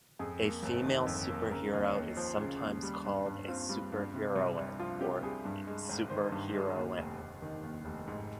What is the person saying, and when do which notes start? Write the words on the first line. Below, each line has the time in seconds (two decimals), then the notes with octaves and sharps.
A female superhero is sometimes called a superheroine or super heroine.
0.19 F2 G#4
0.42 A#3
0.63 G1
0.86 D#3
1.07 F2
1.29 A#3
1.50 C#3 A#4
1.72 D#2 D#5
1.84 C#5
1.95 D#2
2.16 F3 C5
2.38 C#3
2.60 D#2
2.83 G3
3.04 G2
3.26 G2
3.48 C4 F4
3.69 G3
3.92 G2
4.14 C3
4.35 C2
4.57 C2
4.79 F3 F4
5.00 C3 G4
5.22 C2 G#4
5.45 G2
5.67 G#3
5.89 G#1
6.10 D#3 C5
6.32 G2
6.54 G#3
6.76 D#2
6.97 F1
7.20 F1
7.42 D#3
7.63 D#2
7.85 F1
8.07 G#2